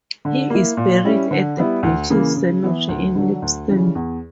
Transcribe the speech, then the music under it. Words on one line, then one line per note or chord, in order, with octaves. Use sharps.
He is buried at the British Cemetery in Lisbon.
D3
A#3 E4
A#2
G3 C#4 E4
D3
G3 B3 E4
D2
C#3 E3 A#3
C#3
E3 B3 E4
D2
D3 F#3
D2
C#3 E3 G3 C#4
E2